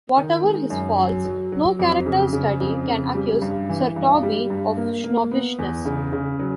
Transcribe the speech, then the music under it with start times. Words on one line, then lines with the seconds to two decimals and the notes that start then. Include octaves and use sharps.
Whatever his faults, no character study can accuse Sir Toby of snobbishness.
0.17 D#3
0.44 G#3
0.70 F#2
0.98 F#3
1.25 F#3
1.52 F#3
1.79 F2
2.06 C#3
2.33 C#3
2.61 F2
2.87 C#3
3.15 G3
3.42 G2
3.69 E3
3.96 G2
4.23 G3
4.50 G2
4.77 A#3
5.04 A#3
5.31 B3
5.59 E2
5.85 C#3
6.13 C#3
6.39 F#3